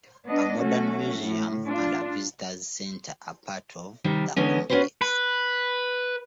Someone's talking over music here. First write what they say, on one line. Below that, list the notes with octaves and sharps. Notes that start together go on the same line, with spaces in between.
A modern museum and a visitors center are part of the complex.
B3 D4 D#5
F#3 A3 C#4 F#4
A2
D4 F4
C3 D#3 G3
D3 E3 G#3 B3 C#4
B3 C#4 F#4 G4 B4 C5
B4